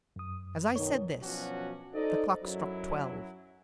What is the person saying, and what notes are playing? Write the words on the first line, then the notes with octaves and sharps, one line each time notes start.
As I said this, the clock struck twelve.
F#2 D#6
B2 D#3 C#5
B2 F3 F#3 C#4 D4 F#4
D#4 A4 C5 D5 D#5
F#2 F#3 E4